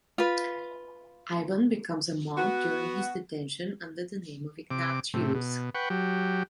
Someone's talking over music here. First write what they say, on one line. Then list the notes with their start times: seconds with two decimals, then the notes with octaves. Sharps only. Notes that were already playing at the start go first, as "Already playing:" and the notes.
Ivan becomes a monk during his detention, under the name of Ignatius.
0.18 F4 B4
2.37 B3 F#4
4.71 C3 D6
5.14 A2 C3
5.35 B2
5.75 B4 F#5 G5 C#6
5.90 F#3 G4